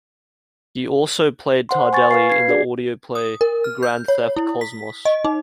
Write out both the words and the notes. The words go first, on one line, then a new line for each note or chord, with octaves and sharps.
He also played Tardelli in the audio play "Grand Theft Cosmos".
C5 F#5 C6
G#5 C#6 A6
B4 F5 C7
G#6 C7
D4 F#4 G#4 D5
D#6
A#4
F6
G6
C#5
E4
B6
D#5
D#4